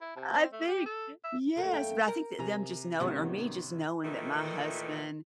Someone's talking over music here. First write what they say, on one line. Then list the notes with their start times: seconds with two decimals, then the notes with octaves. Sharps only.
I think yes. But I think that them just knowing or me just knowing that my husband
0.01 E4
0.16 C3
0.33 C4
0.52 A3
0.67 G4
0.86 A4
1.24 E5
1.56 F#2 A3 A#3
1.73 G5
2.08 A#4
2.39 C3 G#5 A#5
3.00 G#1 C3 D#3 B3 C#4 F#4
4.04 A#2 D#3 E3 A3